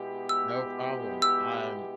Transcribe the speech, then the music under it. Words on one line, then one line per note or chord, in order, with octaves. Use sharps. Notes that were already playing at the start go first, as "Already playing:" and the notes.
No problem, I'm
Already playing: B2 G#3 B3 E4 G4
E6
E6